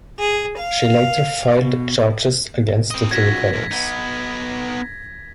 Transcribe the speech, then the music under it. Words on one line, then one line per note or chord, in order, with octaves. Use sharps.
She later filed charges against the three players.
G#4
F5
B2
C4 D#5
C#2 F#3 G#6 A#6 B6
F2 G#2
B3 D#4